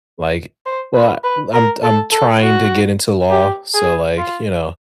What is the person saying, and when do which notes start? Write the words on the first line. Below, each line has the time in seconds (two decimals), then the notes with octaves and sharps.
like well, l I'm I'm trying to get into law. So, like, you know,
0.66 C5
0.95 B4
1.24 B4
1.54 A#4
1.83 A4
2.12 A4
2.42 F#4
3.30 G4
3.75 G#4
4.18 F4